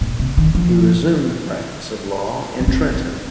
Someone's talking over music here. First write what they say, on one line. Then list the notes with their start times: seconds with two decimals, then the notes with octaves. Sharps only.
He resumed the practice of law in Trenton.
0.01 A#2
0.19 C3
0.37 D#3
0.55 F3
2.61 C#4
2.68 C4
2.94 C4